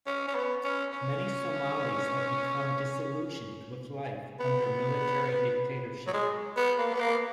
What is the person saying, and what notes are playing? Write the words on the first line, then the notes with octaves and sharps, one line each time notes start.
Many Somalis had become disillusioned with life under military dictatorship.
C#4
C#4
B3
C#4
C#4
B3
F#3
G#3
B3
A#3
B3
A#3